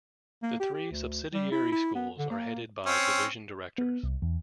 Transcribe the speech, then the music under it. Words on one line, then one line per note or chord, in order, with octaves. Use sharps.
The three subsidiary schools are headed by Division Directors.
A#3
G4
G4
D2
G3
E4
E4
B3
D3
A#3
C4 C#4
B3
C2
E2